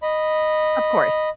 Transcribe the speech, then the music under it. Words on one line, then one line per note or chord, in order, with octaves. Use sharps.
Of course.
D#5 B5